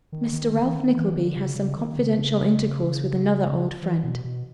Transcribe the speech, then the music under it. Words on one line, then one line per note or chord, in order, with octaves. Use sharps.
Mr Ralph Nickleby has some confidential Intercourse with another old Friend.
D#3
D#3
D3
E3
D#3
E3
D3
C#3
C#3
D#3
C#3
C#3
E3
B2
B2